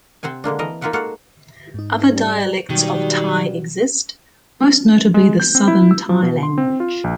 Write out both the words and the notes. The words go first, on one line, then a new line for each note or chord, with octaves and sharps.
Other dialects of Thai exist, most notably the Southern Thai language.
C3 C4 C5 F#5 G#5
D3 G#3 A#3 D4
E3 A#4 D#5
A#3 D#4 F4 E5 F#5 G5
G#3 A#3 F#4 A4 F5 F#5
G#2 D#4
G3
B2 D#3 F#3 G3 G4
G#3
G6
C4
E4
E6
F3
B2
C6
C4
F4
A#1